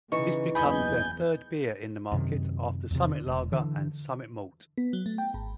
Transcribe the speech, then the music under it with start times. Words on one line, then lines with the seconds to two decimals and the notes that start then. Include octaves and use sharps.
This becomes their third beer in the market after Summit Lager and Summit Malt.
0.12 C#3 E3 D#4 C#6
0.55 F#1 E2 D#5 G#5 B5 G6
2.12 F#2 C3 D#3
2.91 E2 C3
3.09 D3
3.27 E1
3.52 D3 E3
4.78 B3
4.93 F#3
5.06 A3
5.18 G5
5.34 G#1